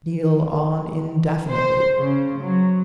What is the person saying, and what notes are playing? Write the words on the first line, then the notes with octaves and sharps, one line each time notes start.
Kneel on indefinitely.
C5
C#3
F#3